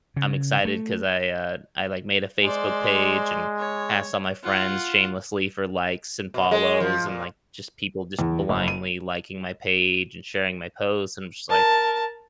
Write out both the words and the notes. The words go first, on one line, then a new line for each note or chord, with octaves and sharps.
I'm excited 'cause I, uh, I, like, made a Facebook page, and asked all my friends shamelessly for likes and follows, and, like, just people just blindly liking my page and sharing my post, and I'm just like
C#3
A3
G#3 C5 D5
C#5
F4 F#5
B2
G#3
F3
A#2
E2
F#1
D#7
A#4 A5